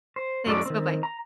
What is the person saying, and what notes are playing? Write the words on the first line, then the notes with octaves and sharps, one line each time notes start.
Thanks, bye-bye.
C5
F#2 F#3 G#3 F4 A4 D5
D#3 C4
A#5